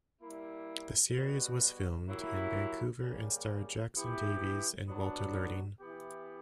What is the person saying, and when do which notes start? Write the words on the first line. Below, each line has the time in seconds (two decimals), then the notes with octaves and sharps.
The series was filmed in Vancouver and starred Jackson Davies and Walter Learning.
0.21 G3 A#3 E4
1.14 B2 G3 B3 F#4
2.07 F#3 A#3 E4 G4
3.01 C#3 G3 A#3 C#4 G4
3.94 E3 B3 E4 G4
4.87 F#3 B3 D4 F#4
5.80 E3 B3 E4 G4